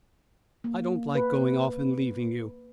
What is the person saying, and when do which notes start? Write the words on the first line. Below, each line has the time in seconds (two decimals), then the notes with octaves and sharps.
"I don't like going off and leaving you."
0.64 A#3
1.15 B4